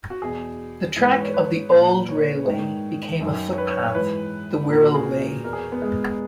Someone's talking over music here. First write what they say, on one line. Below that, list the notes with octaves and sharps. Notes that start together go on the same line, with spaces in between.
The track of the old railway became a footpath, the Wirral Way.
F#4
E2 B2 G#4
G#2 E3
B4
C#5
B4
A#2
C#5
G#2 D#3
F#2 D#3
C#5
B4
C#5
C#5
G#2 E3 B4
A#2 A#4
F#4
G#4
E2 B2 A#4
G#4
B3
G#3